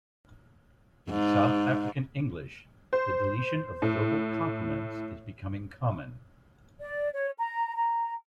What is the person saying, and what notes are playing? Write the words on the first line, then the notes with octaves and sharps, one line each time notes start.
In South African English, the deletion of verbal complements is becoming common.
G#2
C5
A2
D5
C#5
A#5
A#5